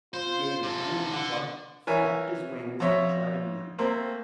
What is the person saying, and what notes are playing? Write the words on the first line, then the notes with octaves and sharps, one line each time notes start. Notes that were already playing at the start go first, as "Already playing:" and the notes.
He gave an angry cluck, flapped his wings, and tried again.
F4 C5
C3 A4
D3 F#5
E3 A#4 C#5 E5 G#5
F2 B2 C#5 E5
A3 A#3 C4